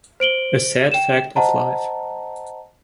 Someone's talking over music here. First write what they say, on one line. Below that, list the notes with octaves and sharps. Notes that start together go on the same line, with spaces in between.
A sad fact of life.
C5 D7 F#7 G7
G5 E7
C5 D#5 F#5 A5 A#5